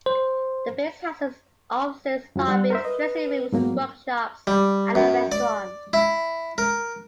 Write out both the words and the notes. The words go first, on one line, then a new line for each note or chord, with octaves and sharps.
The base houses offices, lobbies, dressing rooms, workshops and a restaurant.
C5
F#2 F#3 F4
G3 D4 F#5
A#4 C5 E5
B4 D#5
G#2 F#3 A#3 B3
G3
F#2
D5
E4
A#4